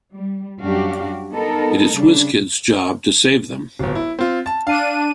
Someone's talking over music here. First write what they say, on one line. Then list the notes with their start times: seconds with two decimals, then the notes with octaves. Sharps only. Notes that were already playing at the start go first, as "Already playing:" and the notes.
It is Wizkid's job to save them.
0.14 G3
0.61 F#2 G3 D4 F#4 G4 F5
1.31 B3 D#4 A4 A#4
1.93 C#3 G3 D4
3.79 D1 G1
3.95 E4
4.19 C4 F4
4.46 A5
4.67 D4 F5 D#7